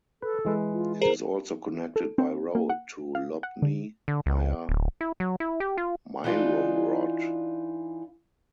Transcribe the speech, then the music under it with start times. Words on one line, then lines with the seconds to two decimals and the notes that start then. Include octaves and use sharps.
It is also connected by road to Lubny via Myrhorod.
0.22 A4 B4
0.45 E3 G#3 B4
0.73 F4
1.01 G#4 A#4 C5 A#5
1.96 A4
2.18 C4
2.55 A#3
2.70 F#5
3.15 F5
3.43 F#5
3.62 D3
4.08 D3
4.26 C#2
4.69 D1
5.01 E4
5.20 F#3
5.40 E4
5.60 G4
5.78 F4
6.24 E3 D4 D#4 F4